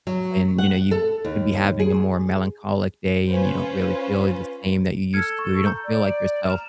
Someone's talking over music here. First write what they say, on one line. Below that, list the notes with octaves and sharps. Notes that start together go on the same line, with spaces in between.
when, you know, you could be having a more melancholic day and you don't really feel the same that you used to, or you don't feel like yourself,
F#3
F#5
A4
D#2
G#4
C#4 F4 B4 C5
A4 F6 G#6 C#7
C#6
A#5 G6
D5
A#5 F6 E7